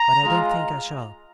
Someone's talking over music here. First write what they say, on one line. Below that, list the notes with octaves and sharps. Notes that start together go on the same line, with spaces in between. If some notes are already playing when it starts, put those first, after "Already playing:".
But I don't think I shall.
Already playing: A#5
G#3 F4